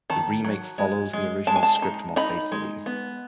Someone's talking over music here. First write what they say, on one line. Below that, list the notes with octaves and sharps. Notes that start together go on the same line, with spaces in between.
The re-make follows the original script more faithfully.
D#3 A5
F#3
G#3
G#3
G#3 A5
G#5
A5
D#4
D#4 B5
G#3
B3